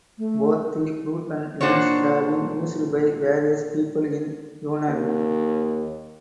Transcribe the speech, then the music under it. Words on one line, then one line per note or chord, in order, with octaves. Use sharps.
Both the fruit and leaves have been used by various peoples in Yunnan.
A3
A#2 D4 F#4 C5 C#5
D#2